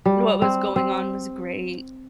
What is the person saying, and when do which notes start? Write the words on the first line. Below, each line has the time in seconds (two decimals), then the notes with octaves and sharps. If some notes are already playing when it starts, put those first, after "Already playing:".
what was going on was great.
0.05 G3
0.42 C4
0.76 C4